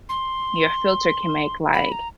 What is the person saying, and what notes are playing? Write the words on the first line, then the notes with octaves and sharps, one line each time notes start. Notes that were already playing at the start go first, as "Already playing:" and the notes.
your filter can make, like,
C6
B5
A#5